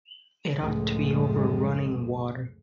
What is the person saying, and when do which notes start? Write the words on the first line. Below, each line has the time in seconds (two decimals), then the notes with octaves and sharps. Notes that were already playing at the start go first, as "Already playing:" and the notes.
It ought to be over running water.
0.59 C#2 F#2 A2 F3 G#3 A3